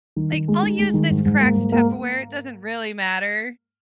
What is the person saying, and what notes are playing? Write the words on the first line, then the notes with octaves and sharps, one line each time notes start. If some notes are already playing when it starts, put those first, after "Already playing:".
Like, “I'll use this cracked Tupperware. It doesn't really matter.”
D#3
D#3
G#3
D#4
G#3
D#3
G#2
G#2
A#3
G#2
A#3